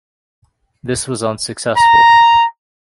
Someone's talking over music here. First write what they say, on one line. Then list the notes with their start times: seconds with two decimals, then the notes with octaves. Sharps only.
This was unsuccessful.
1.77 A#5